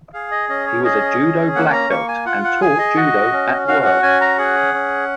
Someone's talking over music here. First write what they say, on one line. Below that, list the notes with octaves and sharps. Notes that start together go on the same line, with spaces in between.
He was a judo black belt and taught judo at Worth.
G#4 F5
D#5
C#4 D#5
C#5
G#4 D#5
C#4
A#3 F#5
A#5
A#3 C#6
G#5
F4 F#5
F#5
G#4 G#5
D#5
F#4
C#4
F#4 F5
F#5
C#4 G#5
A#5
G#4 F#5
C#4